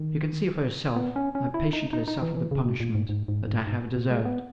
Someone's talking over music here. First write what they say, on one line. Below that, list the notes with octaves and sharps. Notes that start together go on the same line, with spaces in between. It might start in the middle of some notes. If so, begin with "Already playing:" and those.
"You can see for yourself--I patiently suffer the punishment that I have deserved."
Already playing: D#3
B3
C#4
C#4
E4
D#4
D#4
D#4
E3
E3
C#3
B2
A#2
G#2
G#2
G#2
G#2
G#2
A#2
G#3
B3